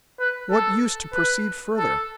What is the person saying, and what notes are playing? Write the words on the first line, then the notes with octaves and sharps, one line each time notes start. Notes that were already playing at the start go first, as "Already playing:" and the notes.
What use to proceed further?
B4
A4
B4
A4